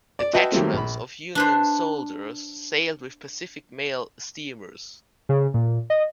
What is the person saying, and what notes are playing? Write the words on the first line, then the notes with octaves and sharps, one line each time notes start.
Detachments of Union soldiers sailed with Pacific Mail steamers.
D5
F#4 B4 D#5 E5 G5 A5
D#3 F#3 G3 A3 A#3 C4
A#1 B5
D4 B4 C5
C#3
A#2
D#5